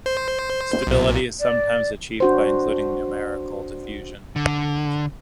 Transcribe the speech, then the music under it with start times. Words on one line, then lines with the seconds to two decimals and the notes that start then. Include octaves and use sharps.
Stability is sometimes achieved by including numerical diffusion.
0.06 C5
0.87 B1 A#2
1.40 D5
2.20 D4 F#4 C5
4.36 D3